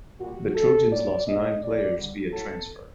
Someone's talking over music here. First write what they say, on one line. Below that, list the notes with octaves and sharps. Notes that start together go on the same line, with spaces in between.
The Trojans lost nine players via transfer.
A#2 G3 F#4
D3 F3 G#3 A4
A#2 F#3 D5
B2 G3 D#5
A2 F3 G#3 D5
D3 G3
A2 F#3 A4